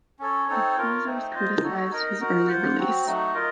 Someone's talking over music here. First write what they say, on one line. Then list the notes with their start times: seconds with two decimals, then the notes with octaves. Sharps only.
Accusers criticized his early release.
0.19 C#4 A4 C#5
0.48 C4 D#4 A4 C#5
0.77 F4 A#4 C#5
1.05 A3 C4 D#4
1.34 F4 C5 D#5
1.62 D#4 F#4 A4 C#5
1.91 D#4 A#4 D#5
2.20 D#4 F#4 A#4
2.48 F4 C5 F#5
2.77 F#3 C4 F#4
3.05 F#3 A3 D#4 F#4
3.34 F4 A#4 D#5